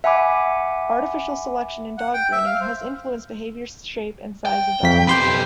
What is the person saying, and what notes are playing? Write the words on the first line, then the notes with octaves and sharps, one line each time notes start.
Artificial selection in dog breeding has influenced behavior, shape, and size of dogs.
E5 F#5 G#5 B5 D6
F#5
G5
E5
F5
C5
G5
F2 B6
B1 G4 B5 C6 G6